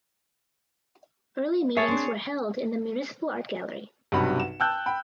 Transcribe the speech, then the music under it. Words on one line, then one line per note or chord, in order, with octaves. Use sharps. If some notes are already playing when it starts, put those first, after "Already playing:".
Early meetings were held in the municipal Art Gallery.
G#4 C#5 E5 A5
C4 D4
B1 G2 C3 F#4 F#5 B5
E7
G5 A5 E6 F#6 G6
G5 B5